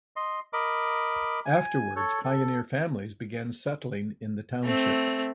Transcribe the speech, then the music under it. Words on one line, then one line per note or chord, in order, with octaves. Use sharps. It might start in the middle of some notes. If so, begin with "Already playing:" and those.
Afterwards, pioneer families began settling in the township.
D#5 C6
A#4 D#5 B5 D6
G#5
A4 C#5
A4
A3 C4